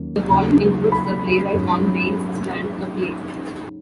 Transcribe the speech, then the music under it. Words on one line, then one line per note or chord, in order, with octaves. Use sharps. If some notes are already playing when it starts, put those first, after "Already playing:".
The volume includes the playwright "On Baile's Strand: A Play".
Already playing: D#2 D#3 F#3 A#3 C#4
D#2 C#3 F#3
B5
G#2 F#3 C#4